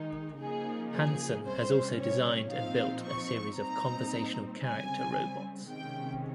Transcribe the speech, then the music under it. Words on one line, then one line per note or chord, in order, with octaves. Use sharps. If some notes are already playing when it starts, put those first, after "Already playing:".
Hanson has also designed and built a series of Conversational Character Robots.
Already playing: D#3 G#3 D#4
C#3 F3 A#3 D#4 G#4
G#4
C3 G3 C#4 C5
C#5
A#2 F3 C4 D#4 F5
C#6
A#2 G3 C4 D#4 A#5
C#3 G3 C4 G#5
C3 D#3 G#3 C#4 G5